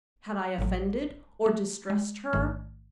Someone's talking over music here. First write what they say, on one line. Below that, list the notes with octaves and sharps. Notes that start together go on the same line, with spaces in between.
Had I offended or distressed her?
A1 A2 F#3
A3
G#3
A1 G#2 D#3 A3